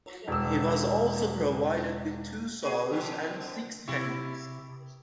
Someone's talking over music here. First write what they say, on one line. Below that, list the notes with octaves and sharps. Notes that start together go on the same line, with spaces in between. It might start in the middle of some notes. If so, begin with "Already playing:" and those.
He was also provided with two sows and six hens.
E1 E6
F#4 G#4
B2 D3 F3
C3 E4 G4 C#6